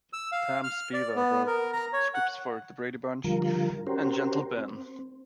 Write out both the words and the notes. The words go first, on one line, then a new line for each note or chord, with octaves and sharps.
Tam Spiva wrote scripts for "The Brady Bunch" and "Gentle Ben".
E6
F5
F6
D5
B3
A#4
A#5
C#5
F#5
D3 F3 G3 F4 A#4
C#4 F#4 G4 A#4 C5
C4